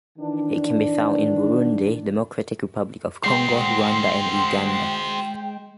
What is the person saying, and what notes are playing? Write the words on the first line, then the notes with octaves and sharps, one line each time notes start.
It can be found in Burundi, Democratic Republic of Congo, Ruanda and Uganda.
D#3 E3 D4
G#3 F#4 C5 G5 C6 C7